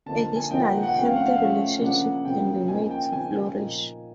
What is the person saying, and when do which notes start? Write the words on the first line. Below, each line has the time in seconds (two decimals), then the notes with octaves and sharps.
Additionally, healthy relationships can be made to flourish.
0.06 D3 F3 A#3 D#4 A5
0.22 A5
0.36 G#5
0.50 D3 F3 A#3 D#4 G5
0.61 F#5
0.72 F#5
0.83 F#5
0.94 F3 A3 C#4 G5
1.05 F5
1.16 F#5
1.26 F5
1.37 F3 A3 C#4 E5
1.81 C#3 F3 A#3 D4 F#5
2.25 C#3 F3 A#3 D4 G5
2.68 C#3 F3 A#3 D#4 G#5
2.91 G5
3.12 C#3 F3 A#3 D#4 G#5
3.55 A#2 F3 A#3 D#4